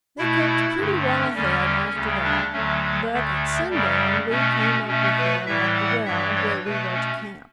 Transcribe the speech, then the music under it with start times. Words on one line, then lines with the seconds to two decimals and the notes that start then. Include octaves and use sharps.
They kept pretty well ahead after that, but at sundown we came up with them at the well where we were to camp.
0.18 B2 A3 E4
0.77 G2 D3 A3
1.07 C#4
1.35 E2 D3 G3 C#4
1.94 D2 C#3 G3
2.24 D4
2.53 D2 D3 F#3 A3 C#4
3.12 D2 D3 A3
3.70 F#2 C#3 G3
4.30 B2 A3 C#4
4.59 C#4
4.88 B2 A3 C#4
5.18 B4
5.46 A2 E3 G3 E5
5.76 F#5
6.05 G2 E3 G3 E5
6.35 C#5
6.64 B2 A3 B4
6.93 C#4